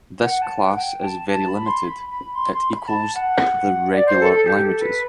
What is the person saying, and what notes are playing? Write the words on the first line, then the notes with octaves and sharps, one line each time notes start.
This class is very limited; it equals the regular languages.
F#5
A5
F#5
G5
A5
A5
B5
C6
B5
B5
C6
C6
B5
A5
F#5
D5
C5
A4
A4
G4
A4
B4